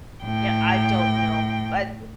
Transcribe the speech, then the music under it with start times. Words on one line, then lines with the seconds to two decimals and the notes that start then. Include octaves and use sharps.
Yeah, I don't know, but i
0.24 A2 G5